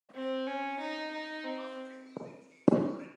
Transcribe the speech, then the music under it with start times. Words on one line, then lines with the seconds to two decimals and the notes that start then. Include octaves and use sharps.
In addition, one can find several self-employed persons and contractors.
0.14 C4
0.47 C#4
0.79 D#4
1.11 D#4
1.44 C4